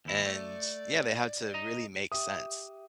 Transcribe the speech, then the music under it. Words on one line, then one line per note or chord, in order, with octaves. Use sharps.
and, yeah, they have to really make sense,
D#2 E4
A3 D5
D#5 A#5
G4 E5 D#6